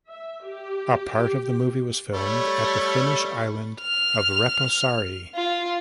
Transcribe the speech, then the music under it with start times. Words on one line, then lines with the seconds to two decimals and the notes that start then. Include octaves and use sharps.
A part of the movie was filmed at the Finnish island of Reposaari.
0.11 E5
0.45 G4
2.13 G3 A3 C#5
3.82 F6
5.35 F4